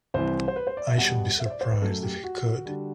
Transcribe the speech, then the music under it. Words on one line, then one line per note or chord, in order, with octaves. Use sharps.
I should be surprised if he could.
C2 C3 E3 C5
C5
B4
C5
D5
E5
E2 B2 G3 F#5
E5
C5
D5
C5
B4
F#2 F#3 A3 A4
G4
F#4
D3 G3